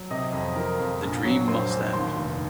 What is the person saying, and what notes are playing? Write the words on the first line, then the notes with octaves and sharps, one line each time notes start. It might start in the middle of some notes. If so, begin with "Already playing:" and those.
The dream must end.
Already playing: F#3
C3 D#5
F2
F3 A#4
F2
A#1
F#3 C#5
A#1 C5
A#1
D#2 C6
F1